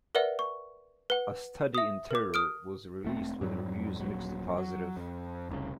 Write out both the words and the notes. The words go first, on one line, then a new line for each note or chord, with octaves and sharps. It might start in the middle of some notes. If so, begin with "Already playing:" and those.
"A Study in Terror" was released with reviews mixed to positive.
A#4 B4 D5 E5 F#5
C#6
B4 F#5
E5 D#6
A#4 D6
D#6 F6 D7
E1 A3 C4
F2 G#2 F#3 G3
D#1 A#1 C3 F#3
F#3
F2
F1 C2 C#3